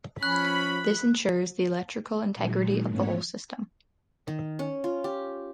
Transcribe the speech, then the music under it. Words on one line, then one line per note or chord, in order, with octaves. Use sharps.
This ensures the electrical integrity of the whole system.
F3 C#4 B5 F#6
A#2 D#3 F#3 G#3
G#2 E3 A3 B3 C#4 C#5
D#3
C#4
F4
G4